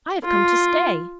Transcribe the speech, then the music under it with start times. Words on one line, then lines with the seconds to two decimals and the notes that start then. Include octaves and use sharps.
"I have come to stay."
0.25 F4